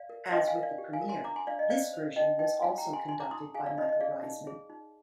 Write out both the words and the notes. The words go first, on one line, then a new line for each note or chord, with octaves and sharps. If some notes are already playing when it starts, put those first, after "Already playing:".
As with the premiere, this version was also conducted by Michael Riesman.
Already playing: D5 F5
A#4
D4 D#5 G5
F5 G#5
A#4
D5 F5
G4
F5 G#5
A#4
G#5 C6
D4 A#5 D6
G#5 C6
D4 D5 F5
D#5
C5 D5 F5
C5
D#4 D#5 G5
D#4 D#5 G5
D#4 F5 G#5
G5 A#5
G4
G#5 C6
D#4 G#5 C6
A#5 D6
D#4 C6 D#6
G#4 F5 G#5
D5 F5
D#4 D#5
D#5
G#4 D5 F5
D#4
G#4
D#4